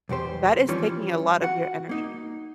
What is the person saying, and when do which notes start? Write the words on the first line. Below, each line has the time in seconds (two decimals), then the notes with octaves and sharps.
that is taking a lot of your energy.
0.09 B1 E2 G4 C5
0.69 E3 F3 G3 C#4
1.42 F#4 F#5
1.89 A#3 D#4